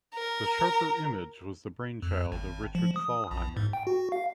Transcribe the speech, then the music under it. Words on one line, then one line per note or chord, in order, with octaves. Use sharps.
The Sharper Image was the brainchild of Richard Thalheimer.
A#4
F2
G#1
F3
D#6
A#1
G#2
G5
F#4
F5